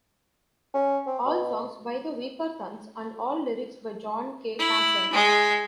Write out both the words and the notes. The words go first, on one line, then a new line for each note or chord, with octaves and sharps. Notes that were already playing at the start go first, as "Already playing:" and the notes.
All songs by The Weakerthans and all lyrics by John K. Samson.
C#4
C4
B2
E4
G#3